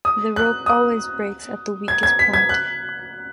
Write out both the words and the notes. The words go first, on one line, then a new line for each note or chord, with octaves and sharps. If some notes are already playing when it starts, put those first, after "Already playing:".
The rope always breaks at the weakest point.
D#6
F#6
D#6
G#6
G#6
B6
G#6
F#6